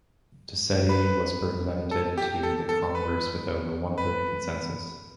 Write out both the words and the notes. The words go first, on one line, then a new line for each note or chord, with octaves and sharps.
Dossetti was presented to the Congress with over one third consensus.
B4
A4
G4
A4
A4
B4
B4